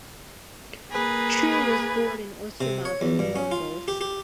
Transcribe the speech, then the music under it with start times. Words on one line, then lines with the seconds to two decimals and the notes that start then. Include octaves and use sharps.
Trew was born in Oystermouth in the Mumbles.
0.91 A#3 G#4 B4 G#6
2.61 C3
2.85 C#5
3.01 E2
3.19 G2
3.36 C#4
3.51 F4
3.88 G4
4.01 G4